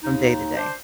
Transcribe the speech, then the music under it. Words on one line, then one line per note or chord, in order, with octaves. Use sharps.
from day to day.
D#2 D#4
D4 C5